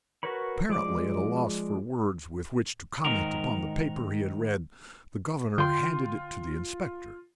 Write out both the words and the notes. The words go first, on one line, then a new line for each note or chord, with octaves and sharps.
Apparently at a loss for words with which to comment upon the paper he had read, the governor handed it to the inspector.
F#4 A#4 B4 C#5 B5
F3 G#3 D5 D6
G#2 D#3 A#4
D3 F4 G5 C6